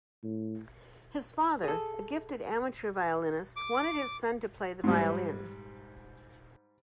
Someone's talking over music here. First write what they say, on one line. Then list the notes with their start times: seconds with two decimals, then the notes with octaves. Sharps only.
His father, a gifted amateur violinist, wanted his son to play the violin.
0.23 A2
1.64 G#4 A4
3.56 D6
4.84 G#2 G3